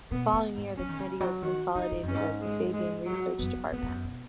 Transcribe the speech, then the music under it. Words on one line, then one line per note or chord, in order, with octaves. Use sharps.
The following year the committee was consolidated as the Fabian Research Department.
B2 B3
C#3
G#2
F#3 C#4
D#3
C#3
F#3
D#3 F#4
C#3 D#4
G#2
F#2 C#4
G#2
G#3
G#3
F#3
F#2 B3
F#2
G#2 B3
G#2
F#2
B2